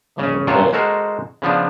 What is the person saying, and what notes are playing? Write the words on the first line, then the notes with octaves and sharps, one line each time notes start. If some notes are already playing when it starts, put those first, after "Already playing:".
uh, but
C#3 C#4
F#2 C3 F#3 F4 C#5 A5
G#3 F#4 A4 A#4 C5
C#3 F3 B3 D4